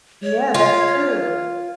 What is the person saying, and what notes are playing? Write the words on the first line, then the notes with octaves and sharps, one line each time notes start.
Yeah, that's true.
C#5
F4